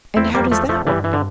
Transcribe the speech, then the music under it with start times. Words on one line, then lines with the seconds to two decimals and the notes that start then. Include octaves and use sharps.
"And how does that work?"
0.16 E2 C4 E4
0.34 G3 A#3
0.40 F2
0.52 E2 F3 A3
0.64 F2
0.69 F3 A3
0.87 G2 E3 G3
1.04 E3
1.13 D3